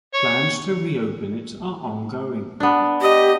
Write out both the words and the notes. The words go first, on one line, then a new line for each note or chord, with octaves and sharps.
Plans to reopen it are ongoing.
C#5
B3 D4
G4 D#5